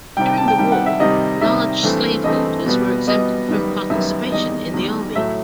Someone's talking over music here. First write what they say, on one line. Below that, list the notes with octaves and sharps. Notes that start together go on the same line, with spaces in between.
During the war, large slaveholders were exempted from participation in the army.
C3 D#3 G3 G5
G5
A5
G5
C3 D#3 G3 G5
F#5
E5
C3 D#3 G3 D#5
C3 D#3 G3 E5
G2 E3 A3 C4
G2 E3 A3 C4 D#5
B2 G3 B3
B2 G3 B3 D#5
F#2 D#3 G3 B3
F#2 D#3 G3 B3 E5
E2 D#3 G3 D#5
E2 D#3 G3
A2 F#3 A3 E5